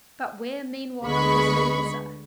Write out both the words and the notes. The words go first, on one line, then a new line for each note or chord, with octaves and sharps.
But where, meanwhile, was Louisa?
D2 D3 G#3 B3 B5 C#6